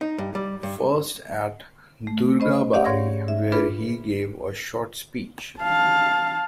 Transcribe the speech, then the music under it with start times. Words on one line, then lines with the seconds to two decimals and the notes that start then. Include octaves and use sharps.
First at Durgabari, where he gave a short speech.
0.01 D#4
0.18 G2
0.35 G3
0.63 G2
2.07 A3
2.40 C#4 C5 D#5 B5
2.73 G4 D5 F5 F#5
2.85 G#2 C#5 C#6 G#6 A#6
3.28 E5
3.52 D4 F4 G#4 B4 B5
5.62 F5 A5